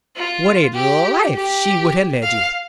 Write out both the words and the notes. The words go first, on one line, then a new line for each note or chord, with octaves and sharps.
What a life she would have led you!'
F4
G4
G4
F5